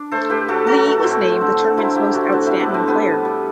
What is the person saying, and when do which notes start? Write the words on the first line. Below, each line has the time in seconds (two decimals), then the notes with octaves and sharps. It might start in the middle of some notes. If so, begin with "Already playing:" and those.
Lee was named the tournament's most outstanding player.
Already playing: D4
0.11 A3 A4 C5
0.30 A2 G4 B4
0.48 A2 F#4 A4
0.67 F#3 F#4 A4
0.85 A3
1.03 A2 C4 E4
1.22 A3
1.41 D3
1.59 D3
1.77 F#3 C4 E4
1.95 A3 E4 G4
2.14 D3 F#4 A4
2.32 A2 F#4 A4
2.46 G3 C4 E4
2.60 B3 D4
2.69 A2 C4
2.87 G3 B3
3.06 A2
3.25 G3